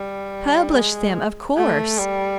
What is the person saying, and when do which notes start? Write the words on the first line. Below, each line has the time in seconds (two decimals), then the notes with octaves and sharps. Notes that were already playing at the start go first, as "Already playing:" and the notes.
"Publish them, of course."
Already playing: G3
0.73 G#3
1.57 A3
1.98 G3